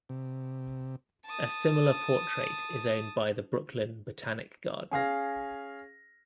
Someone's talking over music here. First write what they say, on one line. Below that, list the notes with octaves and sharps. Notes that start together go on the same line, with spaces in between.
A similar portrait is owned by the Brooklyn Botanic Garden.
C3
A5 D#6
C#4 G#4 F5 A#6